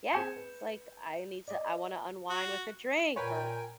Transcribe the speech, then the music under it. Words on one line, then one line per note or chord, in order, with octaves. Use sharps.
yeah, it's like, "I need to I wanna unwind with a drink or,
C4 G#4 G#5 G6 C#7 E7
B4
D5 D#5
F#4
A#2 A#4 B4 C#5 G5 G#5